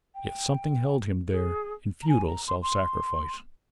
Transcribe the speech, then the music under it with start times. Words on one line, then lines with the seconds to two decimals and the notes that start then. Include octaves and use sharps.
Yet something held him there in futile self-sacrifice.
0.15 G5
1.31 G#4
2.02 A#5
2.09 G#5
2.28 A#5
2.47 C6
2.62 C6